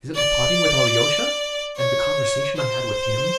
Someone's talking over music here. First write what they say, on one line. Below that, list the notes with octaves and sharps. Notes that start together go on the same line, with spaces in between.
Is it the parting with Alyosha and the conversation I had with him?
D5
C#5
C5